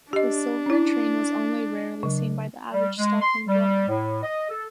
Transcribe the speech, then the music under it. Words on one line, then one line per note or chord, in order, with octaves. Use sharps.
The silver train was only rarely seen by the average Stockholm dweller.
D4 G4 D#5
C#4 E4
C#3 F#3
G3
G#3
C6
G3
A2
D#5
A4